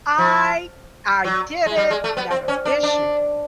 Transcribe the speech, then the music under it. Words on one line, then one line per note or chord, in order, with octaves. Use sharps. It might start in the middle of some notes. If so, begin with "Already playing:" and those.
I I did it, not a issue."
F3
F#3
G#3
G3
G#3
A3
B3
C4
C#4
D4
D4